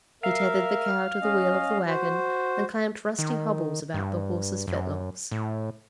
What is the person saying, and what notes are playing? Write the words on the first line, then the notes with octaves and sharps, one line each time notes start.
He tethered the cow to the wheel of the wagon and clamped rusty hobbles about the horses' fetlocks.
A#4 E5 F5
C#4 D#5
F#4 C5
D#3
G2
F#2
A2